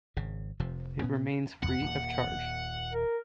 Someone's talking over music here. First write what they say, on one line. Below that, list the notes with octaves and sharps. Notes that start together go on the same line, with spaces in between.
It remains free of charge.
G#1 C#3
F1 C3 F3
A#2 B3 C#4
E1 E2 B3 F#5
D#1 A#3
A#4